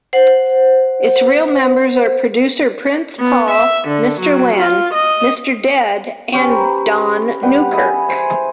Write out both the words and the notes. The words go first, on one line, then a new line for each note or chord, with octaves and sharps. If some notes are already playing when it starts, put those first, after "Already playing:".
Its real members are producer Prince Paul, Mr. Len, Mr. Dead and Don Newkirk.
C5 F#5
B3
E5
D3
F#3
F4
D#5
C#4 G4 C5 C#5
B4 A#5
G3 B4 F#5 G5
E4 G#4 D#5
C5 G#5